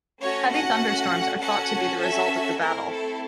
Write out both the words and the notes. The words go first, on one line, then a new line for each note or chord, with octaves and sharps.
Heavy thunderstorms are thought to be the result of the battle.
A3 C#4 F#4 C#5
F#5
C#4 F#4 A4 F#5
E5
A3 C4 E4 A#4
A4